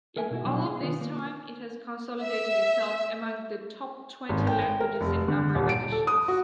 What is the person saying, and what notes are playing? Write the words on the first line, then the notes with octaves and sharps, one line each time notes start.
In all of this time it has consolidated itself among the top twenty languages in number of editions.
A4 A#4 E5 G#5
B2 E4 F#4
B2 F#3 D4 F#4
G#4
D#3 B3 D4 F4
A#3
E5
G#1
G5
G5
A#4
F1
D3
D#1
D7
A4
D#6
F#4